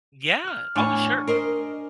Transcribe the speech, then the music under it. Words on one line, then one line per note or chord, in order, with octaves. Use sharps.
Yeah. Oh, sure.
F6 F#6
E2 A2 D4 G#5 C#6
A#4 C5 D#5 C7